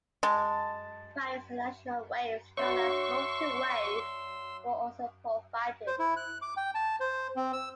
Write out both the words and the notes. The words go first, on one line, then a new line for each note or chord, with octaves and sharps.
Various additional "waves" known as "multiwave" were also provided.
G#3 A5
F#3 D4 F#4 C#5 E5 C6 C#6 E6
C5
E4
F#6
D6
G5
A5
C5
C4
E6